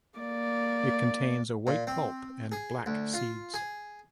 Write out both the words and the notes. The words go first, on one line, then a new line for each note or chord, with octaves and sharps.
It contains a white pulp and black seeds.
A#3 D5
A#2
C4
G#4
D2
F4
G#4